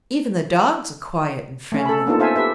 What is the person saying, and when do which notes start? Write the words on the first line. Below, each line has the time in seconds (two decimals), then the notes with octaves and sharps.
Even the dogs are quiet and friendly.
1.72 A3 C#4
1.86 A4 B5
2.06 A#3 B3 D4 D#4 F4 A4
2.20 A4 C5 E5 F5 G#5
2.36 G4 A4 B4 E5